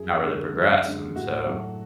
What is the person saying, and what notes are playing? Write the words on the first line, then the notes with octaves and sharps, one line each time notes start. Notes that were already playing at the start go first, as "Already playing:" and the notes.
not really progress, and so,
Already playing: F#2 G#4
D3 G#3
F#2
D3 G#3
A2 F#4
F#3 A3